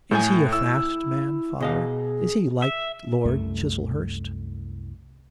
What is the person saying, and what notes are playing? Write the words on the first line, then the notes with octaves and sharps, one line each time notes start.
'Is he a fast man, father, is he like Lord Chiselhurst?'
A2 A4 G#5 G6
E4 E6
B2 G#4 D#5 F5
E5
C2 F#2 A3